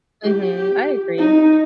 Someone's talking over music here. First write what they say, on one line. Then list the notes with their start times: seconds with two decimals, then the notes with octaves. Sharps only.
Mhm. I agree.
0.24 G4
1.18 D#4